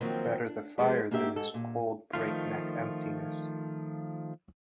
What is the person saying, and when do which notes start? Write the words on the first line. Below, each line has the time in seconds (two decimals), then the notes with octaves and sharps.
Better the fire than this cold breakneck emptiness.
0.01 D#3 F3 F#3 A#3 C4
0.45 D4
0.78 F3 G#3 B3 G4
1.11 A#3 D4 F#4 G4 E5
1.36 G#2 A4
1.54 A#2
2.13 D#3 F3 A3 F4